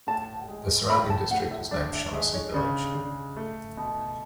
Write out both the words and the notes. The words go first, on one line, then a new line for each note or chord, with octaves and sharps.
The surrounding district is named Shaughnessy Village.
A2 A5
G#3
A2 B5
A5
A2 F#5
E5
D4 D5
E5
G#3 E5
C#5
C#3 D5
C#3
A3
B2